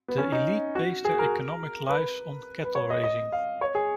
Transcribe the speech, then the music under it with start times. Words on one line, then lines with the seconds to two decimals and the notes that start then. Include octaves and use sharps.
The elite based their economic lives on cattle raising.
0.08 B3
0.18 C#4
0.32 D#4
0.75 F#4
1.05 G#4
1.19 A#4
1.89 B4
2.64 B4
2.75 C#5
2.90 D#5
3.04 D#5
3.32 F5
3.61 C#5
3.75 G#4